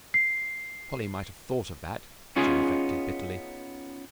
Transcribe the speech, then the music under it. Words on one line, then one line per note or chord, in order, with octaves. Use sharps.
Polly might have thought of that, she reflected, bitterly.
C7
B3 C#4 D#4 F4 G#4